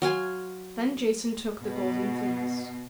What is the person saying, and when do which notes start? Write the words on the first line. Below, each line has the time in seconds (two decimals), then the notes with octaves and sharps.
Then Jason took the Golden Fleece.
0.02 F#3 F5 G#5 C6
1.61 B2